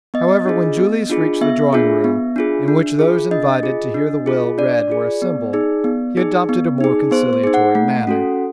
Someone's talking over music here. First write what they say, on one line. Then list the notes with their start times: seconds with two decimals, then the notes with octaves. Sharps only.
However, when Julius reached the drawing room, in which those invited to hear the will read were assembled, he adopted a more conciliatory manner.
0.14 B3 D#5
0.46 D4 F4 G#4
0.77 B3
1.10 D4 F4 G#4
1.41 B3 E5
1.73 D4 F4 G#4
2.04 B3
2.36 D4 F4 G#4
2.68 D4
2.99 F4 G#4
3.31 D4 D#5
3.63 F4 G#4
3.94 D4
4.26 F4 G#4
4.58 D4 D5
4.90 F4 G#4
5.22 B3
5.53 D#4 G#4
5.84 B3
6.17 D#4 G#4
6.49 B3
6.80 D#4 G#4
7.11 B3 C5
7.33 C5
7.44 D#4 G#4
7.54 F#5
7.75 A3
8.07 C#4 F#4 A4